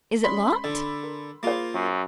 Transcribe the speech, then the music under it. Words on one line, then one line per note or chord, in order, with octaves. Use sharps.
"Is it locked?"
G#3 C#4 D5 B5 C6 B6
D3 D5 E6
A#4
A#3 F4 G#4 C5
F#2